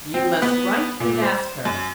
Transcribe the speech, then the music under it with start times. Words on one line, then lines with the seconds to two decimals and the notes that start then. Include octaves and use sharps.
"You must write and ask her."
0.14 C4
0.42 B3
1.00 A#2
1.22 C5
1.65 F#2